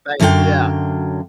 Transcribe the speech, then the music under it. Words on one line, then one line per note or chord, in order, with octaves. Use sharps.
Right, yeah.
F#2 D3 F#3 E4 F5 G5